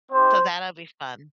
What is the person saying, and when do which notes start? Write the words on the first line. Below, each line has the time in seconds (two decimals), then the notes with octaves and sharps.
So that'll be fun.
0.11 C4 D#4 G4 C5